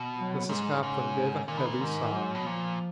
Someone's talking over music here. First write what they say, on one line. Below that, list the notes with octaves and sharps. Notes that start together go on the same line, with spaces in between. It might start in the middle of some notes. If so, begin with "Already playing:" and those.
Mrs. Caplin gave a heavy sigh.
Already playing: B2
F#3
G#2 G#3
G#2 C#3
A#2 D#3
B2
A#2
G#2 D#3
F#3
B2
A#2 F3